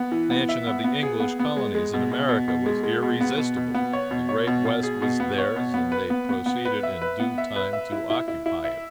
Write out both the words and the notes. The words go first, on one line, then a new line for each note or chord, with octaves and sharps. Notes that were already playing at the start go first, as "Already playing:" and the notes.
The expansion of the English colonies in America was irresistible; the Great West was theirs, and they proceeded in due time to occupy it.
Already playing: B3
E3
B3
E5
B3
B3
G#4
B3
B3
G#3
G#3
B2
B2
B2
B2
G#3
G#3
B2
B3
B2
B2
B3
C#5
B2
C#5
B2
B2
G#4
B2
B3
C#5
B2
B3
B4
B3
B3
B3
B4
E5
B4
B3
E5
B4
E5
E4
E4
E4
E4
E5